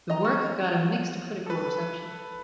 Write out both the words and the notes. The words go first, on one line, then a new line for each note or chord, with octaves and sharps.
The work got a mixed critical reception.
D#5 A#5
F#4
A4 B4